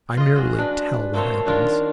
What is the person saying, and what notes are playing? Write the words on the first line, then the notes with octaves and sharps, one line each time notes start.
I merely tell what happens.
F4 D#5
F#4 G#4
D4 B4
A3 A#3 C4 A4 C5 C#5
D#3 D4 F4 A#4 C#5